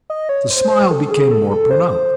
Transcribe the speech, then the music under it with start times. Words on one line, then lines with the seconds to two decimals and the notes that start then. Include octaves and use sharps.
The smile became more pronounced.
0.10 D#5
0.29 C#5
0.50 C5
0.70 C5
0.91 A4
1.10 G#4
1.31 A4
1.51 A4
1.71 C5